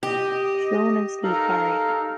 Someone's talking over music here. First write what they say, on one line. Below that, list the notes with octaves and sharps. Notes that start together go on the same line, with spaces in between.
Sloan and Steve Barri.
G4 D#5
D#4 A4 A#4 F5